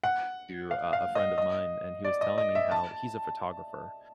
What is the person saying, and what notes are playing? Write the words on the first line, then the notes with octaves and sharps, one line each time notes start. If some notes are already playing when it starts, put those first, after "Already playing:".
to a a friend of mine, and he was telling me how he's a photographer
F#5
F5
F5
D#5
D#5
D5
D#5
D#5
E5
A5